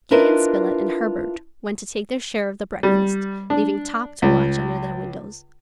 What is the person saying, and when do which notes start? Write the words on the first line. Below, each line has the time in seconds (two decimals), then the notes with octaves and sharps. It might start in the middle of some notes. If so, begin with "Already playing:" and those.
Gideon Spilett and Herbert went to take their share of the breakfast, leaving Top to watch under the windows.
0.11 D4 E4 F4 A#4 B4 D#5
2.83 G3
3.50 D4
4.22 C#2